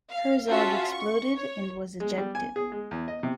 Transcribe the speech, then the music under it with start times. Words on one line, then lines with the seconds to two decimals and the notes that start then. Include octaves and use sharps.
Herzog exploded and was ejected.
0.11 F5
0.49 C#4 F4 F#4 E5 A5
0.89 C#6
1.35 C#5
2.00 G#3
2.18 G3
2.35 G#5
2.56 G#4
2.72 G#3
2.91 E2
3.08 D#5
3.23 C3